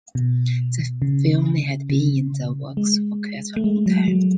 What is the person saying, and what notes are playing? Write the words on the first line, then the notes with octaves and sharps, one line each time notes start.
The film had been in the works for quite a long time.
B2
C#3
C#3
G#3
A3
G#3
F#3
F#3